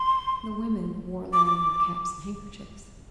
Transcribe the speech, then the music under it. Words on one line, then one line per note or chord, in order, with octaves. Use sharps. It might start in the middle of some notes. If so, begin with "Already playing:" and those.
The women wore long-eared caps and handkerchiefs.
Already playing: C6
D6
D6